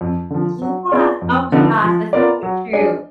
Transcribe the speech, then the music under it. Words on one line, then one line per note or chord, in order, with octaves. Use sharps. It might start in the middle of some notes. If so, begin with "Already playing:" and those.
yeah, oh, my gosh, that's so true.
F2
D3 F3
F#3
B3 F4 G#4 D5
F2
D3 F3 B3 D#4
F3
B3 F4 A#4 D5
F#3
D4 G#4 D#5